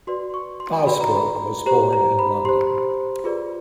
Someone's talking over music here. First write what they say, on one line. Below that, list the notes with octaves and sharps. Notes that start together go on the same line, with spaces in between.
Fosbroke was born in London.
F#4 B4 D5 C6
C#6
C6
F#4 B4 D5 B5
A#5
B5
G4 C5 A#5
A#5
B5
G4 C5 C6
F4 G#4 B4 D5